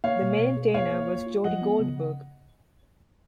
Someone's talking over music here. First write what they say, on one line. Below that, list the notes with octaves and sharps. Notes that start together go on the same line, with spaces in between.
The maintainer was Jody Goldberg.
A#3 C#5 F5
B2
B2
G#4
A#3 C#5 F5
A#3
F4
F4
F3 D#5 F#5
B3
C#3
C#3